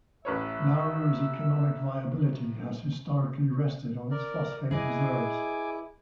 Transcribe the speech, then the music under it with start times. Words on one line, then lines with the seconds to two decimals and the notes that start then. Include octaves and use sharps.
Nauru's economic viability has historically rested on its phosphate reserves.
0.25 A1 B4 C#5 E5
4.11 A#4 D5
4.71 E4 G#4 B4 D#5 G#5 D6